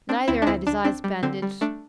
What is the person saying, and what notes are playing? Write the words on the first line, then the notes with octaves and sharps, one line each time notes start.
Neither had his eyes bandaged.
C4 D4
D2 C4 E4
D4
D2 C4 E4
D2 D4
C4 D4
G3
D3 C4
G3
A3 D4